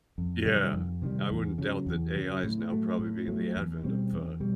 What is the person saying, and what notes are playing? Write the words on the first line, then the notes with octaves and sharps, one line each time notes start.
Yeah. I wouldn't doubt that AI is now probably being the advent of, uh,
F2
C3 D#3 G3
F2
C3 D#3 G3
E2
C#3 F#3
E2
C#3 F#3
A2
F#3 A3
A2
F#3 A3
E2
B2 G3 C4
E2
B2 G3